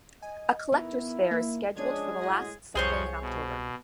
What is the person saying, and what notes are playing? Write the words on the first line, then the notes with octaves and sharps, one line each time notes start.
A collectors fair is scheduled for the last Sunday in October.
D#5 G#5
D#3 B3 E4 A#4
A#3
F3 G#3 C#4 D4 G#4 G#6
F#2 A2 F#4 D#5
C2 F2 G#4 C5 C#5
B2